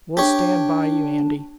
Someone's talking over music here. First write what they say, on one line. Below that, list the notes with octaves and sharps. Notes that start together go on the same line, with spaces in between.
"We'll stand by you, Andy."
D4 G4 C#5